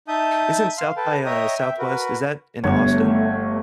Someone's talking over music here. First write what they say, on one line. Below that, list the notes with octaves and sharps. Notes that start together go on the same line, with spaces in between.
Isn't South by, uh, Southwest? Is that in Austin?
D#4 E5 A5 D#6 G6
F5 C6
A4 B4 G5 A5
C#5 D#5 E5 G5 A#5 D#6
E5 G5
F#4 A#4 B4
G1 A3 C#5